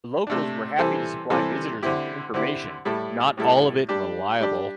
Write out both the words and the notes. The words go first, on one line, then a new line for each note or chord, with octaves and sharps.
The locals were happy to supply visitors with information, not all of it reliable.
C3 A3 D4
C3 E3 G3 C4 A4
C3 E3 G3 C4 A4
D3 C4 E4 G4
D3 C4 E4 G4
A2 G3 E4 A4
A2 G3 E4 A4
G3 D4 G4
G3 D4 G4